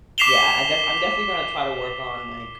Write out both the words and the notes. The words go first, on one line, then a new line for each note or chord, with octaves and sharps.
yeah, I I defi I'm definitely gonna try to work on, like,
D6 B6 C7 E7 F7 G7